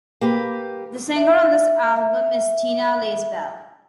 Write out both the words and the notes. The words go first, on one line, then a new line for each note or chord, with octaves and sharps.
The singer on this album is Tina Lacebal.
A#3 G4 B4
E5
E5